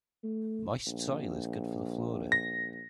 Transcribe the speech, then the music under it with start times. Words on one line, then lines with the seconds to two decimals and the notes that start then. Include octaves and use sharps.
Moist soil is good for the flora.
0.23 A3
0.86 A#1
2.32 A#6